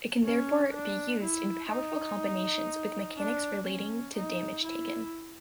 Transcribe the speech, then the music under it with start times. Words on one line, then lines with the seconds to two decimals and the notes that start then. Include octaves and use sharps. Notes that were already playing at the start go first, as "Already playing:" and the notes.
It can therefore be used in powerful combinations with mechanics relating to damage taken.
0.24 C#4
0.74 D4
1.22 E4
1.71 D#4
3.18 D4
3.67 C#4
4.15 D#4
4.64 E4